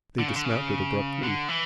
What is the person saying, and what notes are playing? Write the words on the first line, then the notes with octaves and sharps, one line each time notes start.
They dismounted abruptly.
D3
C#3
D3
C#3
D3
E3